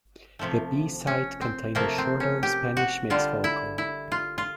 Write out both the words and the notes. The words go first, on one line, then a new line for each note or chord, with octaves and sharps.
The B-side contained a shorter Spanish Mix vocal.
C3 F3 A3
C#4
C4
C3 F3 A3 A#3
C4
C#4
G4
F#4
D3 G3 F4
E4
E4
F4
F4